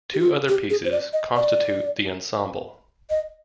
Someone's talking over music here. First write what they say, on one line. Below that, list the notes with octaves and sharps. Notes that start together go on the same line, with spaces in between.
Two other pieces constitute the "Ensemble".
G4
F4
G4
G#4
C5
D5
D#5
D5
D#5